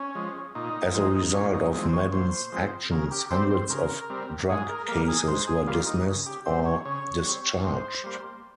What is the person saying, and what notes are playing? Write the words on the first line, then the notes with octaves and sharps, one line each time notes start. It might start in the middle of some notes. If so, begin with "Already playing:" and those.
As a result of Madden's actions, hundreds of drug cases were dismissed or discharged.
Already playing: C#4
F3 G#3
A#2 D#4
F3 G#3 D#4
A#2 C#4
D#4
F3 G#3 C4
C5
C#5
A#2 C5
F3 G#3 C4
C#3 A#4
G4
G3 C4 C5
C5
C#3 A#4
G3 C4
G#2 G#4
A#4
G3 A#3 A#4
G#4
G#2 C5
G#4
G3 A#3 F4
D#4
C#3
G4
G3 C4 C5
C#5
C#3 C#5
G3 C4
G#2 C5
G3 A#3